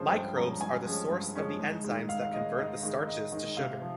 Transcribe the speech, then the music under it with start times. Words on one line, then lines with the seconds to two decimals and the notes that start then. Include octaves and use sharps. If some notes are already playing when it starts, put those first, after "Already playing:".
Microbes are the source of the enzymes that convert the starches to sugar.
Already playing: G2 F3 G#3 C#4 C5
0.12 G2 G5
0.36 F3 G#3 C#4 A#5
0.61 G2 G#5
0.85 F3 G#3 C#4
1.11 G2
1.35 F3 G#3 C#4
1.59 G#2
1.84 D#3 G#3
2.09 G#2 F5
2.22 F5
2.33 D#3 G#3 D#5
2.58 G#2 D#5
2.83 D#3 G#3
3.07 G#2 D#5
3.32 D#3 G#3
3.57 C3 F5
3.82 F3